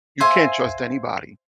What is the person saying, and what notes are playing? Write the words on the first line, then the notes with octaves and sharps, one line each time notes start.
you can't trust anybody,
C5 E5 F5 G#5